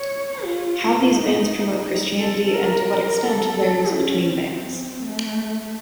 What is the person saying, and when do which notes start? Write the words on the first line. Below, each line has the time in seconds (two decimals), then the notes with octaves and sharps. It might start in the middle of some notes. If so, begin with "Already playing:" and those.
How these bands promote Christianity, and to what extent, varies between bands.
Already playing: C#5
0.44 F4
1.14 D#4
2.19 A4
2.54 A#4
3.24 A4
3.94 C#4
4.29 C4
4.99 A3